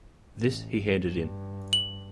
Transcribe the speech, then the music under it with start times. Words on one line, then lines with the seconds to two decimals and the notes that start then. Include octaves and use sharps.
This he handed in.
0.37 A1
1.07 G2
1.73 F#7